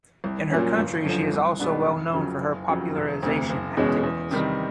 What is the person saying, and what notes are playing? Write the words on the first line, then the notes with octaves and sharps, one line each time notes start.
In her country she is also well known for her popularization activities.
C2
A#2 F#3 A#3 C#4
G1
F#2 D3 F3
C2
B2 G#3 B3 D4
F1
F2 C#3 F#3
F#1
F2 C#3 F#3
E1
D2 C3
F#1
E2 B2 G#3 C#4
E2
C3 D#3 G3